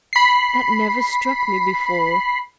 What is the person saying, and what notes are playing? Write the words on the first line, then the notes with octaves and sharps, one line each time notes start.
"That never struck me before."
B5 C7